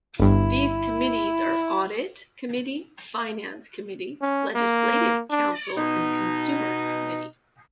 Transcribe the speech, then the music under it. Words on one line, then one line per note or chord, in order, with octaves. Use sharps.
These committees are Audit Committee, Finance Committee, Legislative Council, and Consumer Committee.
G1 G2 E4
C#4
A#3
D4
B2 D#4